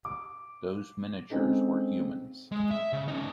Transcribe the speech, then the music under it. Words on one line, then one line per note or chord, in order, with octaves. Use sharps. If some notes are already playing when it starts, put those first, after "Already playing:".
Those miniatures were humans.
D6
G#3 C4 C#4 D#4 A4
G#3
E5
C#3
C#4 D#4